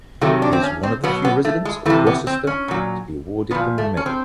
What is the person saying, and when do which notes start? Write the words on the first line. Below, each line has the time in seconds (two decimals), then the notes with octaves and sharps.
He is one of the few residents of Worcester to be awarded the medal.
0.21 C3 D#3 F#3 A3
0.42 D4
0.53 C4
0.63 C#4
0.83 C4
1.04 B2 F#3 B3
1.25 B3
1.45 A3
1.65 G#3
1.86 E3 A3
1.90 C3
2.07 B3
2.27 C4
2.47 C#4
2.68 A#2 F#3
3.51 A#2 B3
3.55 F3
3.78 A3
3.97 C#4
4.06 C4